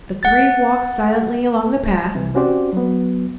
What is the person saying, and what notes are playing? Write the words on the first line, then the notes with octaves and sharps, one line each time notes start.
The three walked silently along the path.
F#5 A6
C2 C3 E3
C4 C#4 F#4 G4 C5 D5
F#3 B3